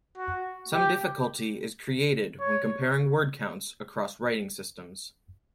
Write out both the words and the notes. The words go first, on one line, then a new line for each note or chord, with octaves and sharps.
Some difficulty is created when comparing word counts across writing systems.
F#4
G4
C#5